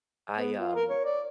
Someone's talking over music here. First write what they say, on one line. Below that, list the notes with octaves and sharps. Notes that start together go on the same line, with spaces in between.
I, um,
B3
F4
A#4
C#5
D5